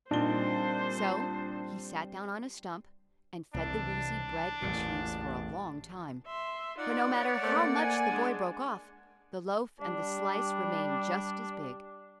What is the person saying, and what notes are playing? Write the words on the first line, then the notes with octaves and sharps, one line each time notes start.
So he sat down on a Stump and fed the Woozy bread and cheese for a long time; for, no matter how much the boy broke off, the loaf and the slice remained just as big.
A#2 G3 C4 D4 D#4 C5 G7
C2 E3 D4
A1 E2 A#2
E5 C6
D#4 F4 D5 F#5
C#5
A3 A#3 C5
G#5
G#3 D4
G3 D4